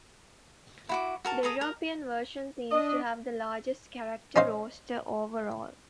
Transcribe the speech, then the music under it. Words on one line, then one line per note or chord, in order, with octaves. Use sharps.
The European version seems to have the largest character roster overall.
E4 F#4 D6
F#4 A#4 A5
G#4 A4 A#5 D#6
A#4
D4 D#5
C#4 D#4 C5 D#5 F5